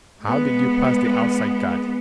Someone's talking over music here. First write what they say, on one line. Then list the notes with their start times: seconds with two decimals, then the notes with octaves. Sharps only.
"How did you pass the outside guard?"
0.24 G#3 B3